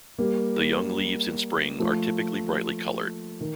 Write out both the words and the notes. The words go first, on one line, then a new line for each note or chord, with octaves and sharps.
The young leaves in spring are typically brightly coloured.
G3 A#3
F3 A3
D#3